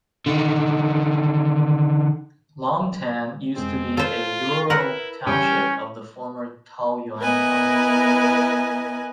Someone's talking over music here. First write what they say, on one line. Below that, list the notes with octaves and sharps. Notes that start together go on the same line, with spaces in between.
Longtan used to be a rural township of the former Taoyuan County.
D3 D#3
F1 G#3 C4
F4 A4 C5 C#5
E4 A#4 B4 F#5
C#3 E3 G3 C#4 G5
B3 E4 A#4 B4 D#5 G#5